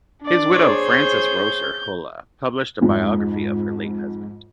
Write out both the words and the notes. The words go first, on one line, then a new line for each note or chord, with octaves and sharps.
His widow Frances Rosser Hullah published a biography of her late husband.
D4 D5
G#4 C5 C#5
G6
F2 G#2 F3